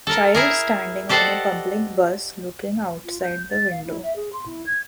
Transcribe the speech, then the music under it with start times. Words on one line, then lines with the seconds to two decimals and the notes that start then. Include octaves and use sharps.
Child standing on a public bus, looking outside the window.
0.07 A4 A#4
0.35 E4 G#4 A#4
1.09 G4 A4 C5 D5 D#5 F#5
3.05 F4
3.23 G6
3.51 A6
3.71 F5
3.85 E4
4.03 E5
4.16 G#4
4.33 C6
4.46 E4
4.66 G#6